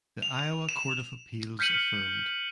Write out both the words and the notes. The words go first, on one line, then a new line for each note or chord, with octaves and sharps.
The Iowa Court of Appeals affirmed.
F7
E7
F6 G6 B6 C#7 D#7 F#7